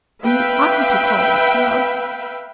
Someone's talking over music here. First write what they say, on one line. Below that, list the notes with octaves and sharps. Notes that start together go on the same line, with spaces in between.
And you oughtn't to call them snobs.
B4 E5 F5 G5